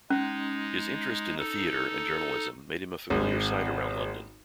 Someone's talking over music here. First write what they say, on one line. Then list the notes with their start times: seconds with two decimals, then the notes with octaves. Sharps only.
His interest in the theatre and journalism made him a familiar sight around London.
0.10 G#3 C#4 D#4
1.39 D#4 A4
3.10 G#1 G#3